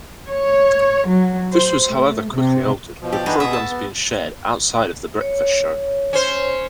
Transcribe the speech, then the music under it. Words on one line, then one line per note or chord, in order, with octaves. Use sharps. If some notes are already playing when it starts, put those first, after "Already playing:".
This was however quickly altered, with programmes being shared outside of the breakfast show.
C#5
F#3
C5
A3
C3
B2 F3
G4 D5
E3 B3 D4 D#4 F#4 G#4
B2 E5 D#6
A5
B3
C#5
C#4 C5